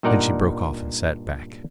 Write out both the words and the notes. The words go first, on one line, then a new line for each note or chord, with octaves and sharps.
Then she broke off and sat back.
G2 A#2 D#4 A#4 D5 F#5